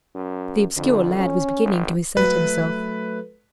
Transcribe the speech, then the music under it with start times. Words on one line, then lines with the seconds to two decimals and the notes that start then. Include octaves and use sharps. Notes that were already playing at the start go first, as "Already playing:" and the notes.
The obscure lad was beginning to assert himself.
0.15 F#2
0.77 F2 D3
1.19 C#4
1.64 G#1
2.17 F#3 A3 B4